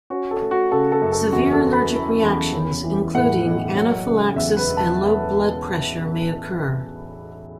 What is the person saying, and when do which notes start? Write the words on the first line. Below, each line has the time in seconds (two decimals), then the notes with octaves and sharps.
Severe allergic reactions including anaphylaxis and low blood pressure may occur.
0.10 C#4 F#4
0.31 A4
0.41 A3
0.51 F#4
0.71 C#3 A4
0.92 A4
1.01 F#2
1.12 A4
1.32 E2 F#4
1.53 A4
1.63 B3
1.73 B5
1.93 E3
2.23 E2
2.53 C#4
2.84 E3
3.15 A2 F#5
3.45 B1
3.75 F#3
4.06 C#3
4.36 E2 E5
4.57 B4
4.67 E1
4.77 A5